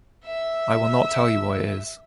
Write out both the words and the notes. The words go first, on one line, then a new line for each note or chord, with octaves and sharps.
I will not tell you what it is.
E5 E6